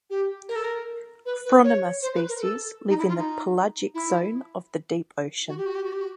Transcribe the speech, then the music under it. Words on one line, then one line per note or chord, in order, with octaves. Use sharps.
"Phronima" species live in the pelagic zone of the deep ocean.
G4
A#4
A4
A#4
B4
B4
C#5
C5
B4
A#4
A4
D#4
E4
F4
D#4
E4
F#4
G4
F#4
G4
F#4
G4
F#4